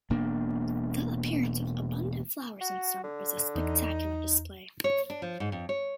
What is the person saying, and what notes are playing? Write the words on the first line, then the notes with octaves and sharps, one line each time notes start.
The appearance of abundant flowers in summer is a spectacular display.
E1 B2 A#3 D4
F#4
D3
E2 D#4
C#5
D4
F3
G#2
F2
C#5